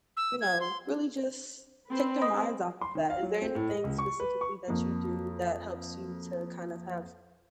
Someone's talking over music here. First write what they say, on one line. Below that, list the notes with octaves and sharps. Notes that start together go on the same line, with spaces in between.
you know, really just take their minds off of that. Is there anything specifically that you do that helps you to kind of have
E6
G#6
C6
C4 B4
D#5 D#6
C6
D#3
F5
F#3
C4
A2
D#5
C#2
C#6
B4
C#6
F2 A#3